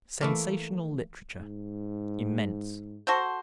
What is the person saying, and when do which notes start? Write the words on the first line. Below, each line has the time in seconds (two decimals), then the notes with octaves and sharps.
Sensational Literature.--Immense.
0.21 E3 A3 A#3
1.38 G#2
3.07 F#4 A4 C5